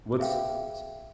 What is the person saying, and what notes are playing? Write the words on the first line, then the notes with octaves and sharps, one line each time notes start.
What's s
G#4 E5 F5 G5